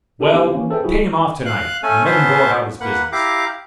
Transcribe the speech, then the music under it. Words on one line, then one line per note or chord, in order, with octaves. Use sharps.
"Well, pay him off to-night, and let him go about his business."
D4 G4 A4 A#4 A5
B3 E4 G4 F5
E3 A#3 C#4
G#4 A4 B4 C5 E5 G5
F#3 E4 F#4 G#4
F5 F#6
A3 C#4 A4 G#5
B3 C#4 C5 E5 A5 C6
A#3 B4 F#5
E4 G4 F5 A#5 D6